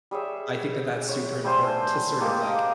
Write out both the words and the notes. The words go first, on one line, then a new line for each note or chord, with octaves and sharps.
I think that that's super important to sort of, like,
G3 G#4 C#5 E5
C#5
G3 A3 C5 G#5
G#3 A#3 G4 A4
D#5 F5 D6